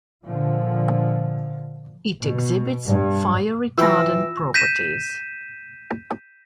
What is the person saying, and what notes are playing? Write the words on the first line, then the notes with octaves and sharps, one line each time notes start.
It exhibits fire-retardant properties.
A#2 D3 F3
B2
G2
E3 F4 G5 B5 E6 A#6
G6 A#6 B6 D#7 E7